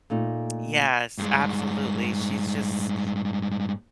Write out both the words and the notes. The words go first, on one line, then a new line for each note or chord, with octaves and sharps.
Yes, absolutely, she's just
A#2 A3 D#4
G2 G#3